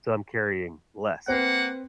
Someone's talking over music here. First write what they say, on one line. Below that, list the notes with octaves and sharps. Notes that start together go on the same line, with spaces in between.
so I'm carrying less,
A#3 C4 B4 F#5